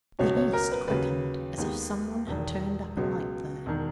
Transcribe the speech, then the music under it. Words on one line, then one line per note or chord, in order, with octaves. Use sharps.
The east quickened, as if someone had turned up a light there.
C#2 B2 F#3 C#5
C#5
A#4
B4
D#2 C#3 F#3 B4
D#2 D#3 G#3 B3
E1 E2 D#3
C#2 B2 G#3
E1 D#3